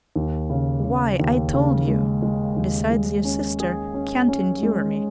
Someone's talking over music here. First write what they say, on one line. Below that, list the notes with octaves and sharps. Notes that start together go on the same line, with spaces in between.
"Why, I told you... besides your sister can't endure me."
D#2
C#3
C#3
D#2
C#3
G#3
G#3
D#2
G#3
C#4
G#4
C#4
C#4
G#3